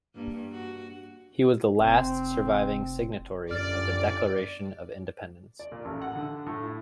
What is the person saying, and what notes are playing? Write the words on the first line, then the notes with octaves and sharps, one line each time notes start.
He was the last surviving signatory of the Declaration of Independence.
G2 A#3
F#4
F1 C4
G1 F#2 D5 F6 A6
D5
A#2
A1
F#5
D3
A2
E4